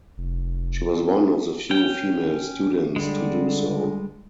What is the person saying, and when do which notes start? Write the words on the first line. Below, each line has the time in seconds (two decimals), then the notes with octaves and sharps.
She was one of the few female students to do so.
0.18 F1
1.71 C#4 G5
2.96 D3 G3 G#3